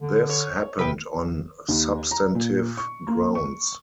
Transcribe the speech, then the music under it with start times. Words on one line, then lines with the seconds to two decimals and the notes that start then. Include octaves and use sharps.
This happened on substantive grounds.
0.02 D3
0.30 C#5
0.79 C3 B4 G5
1.69 D#2
2.11 A#5
2.35 A#2
2.77 C#6
3.07 A#3
3.35 C#6